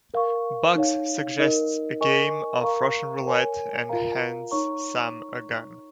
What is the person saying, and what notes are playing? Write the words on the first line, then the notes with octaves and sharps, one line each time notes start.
Bugs suggests a game of Russian Roulette and hands Sam a gun.
A#4 F5 C#6
D#4 C#5 F5
D#4 A#4 D#5
A#4 D#5 G#5 C#6
A#4 F5 A#5 C#6
A#4 C#5 G#5
F4 A#4 F5 A#5
D#4 C#5 A#5 C#6